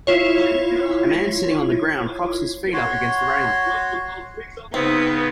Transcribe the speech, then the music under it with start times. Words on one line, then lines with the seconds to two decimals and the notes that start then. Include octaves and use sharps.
A man sitting on the ground props his feet up against the railing.
0.07 E4 F4 C#5
2.73 F#4 C#5 C6
4.74 C#3 B3 C4 D#4 B4